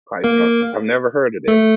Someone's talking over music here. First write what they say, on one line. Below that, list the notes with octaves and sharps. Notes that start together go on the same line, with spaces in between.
Python. I've never heard of that.
A#3 A#4
A3 A4